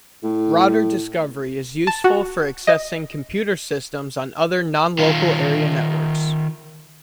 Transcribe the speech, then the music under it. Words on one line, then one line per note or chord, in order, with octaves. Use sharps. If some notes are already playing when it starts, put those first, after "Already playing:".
Router discovery is useful for accessing computer systems on other nonlocal area networks.
A2
A5
F#4
D#5
D#3 F4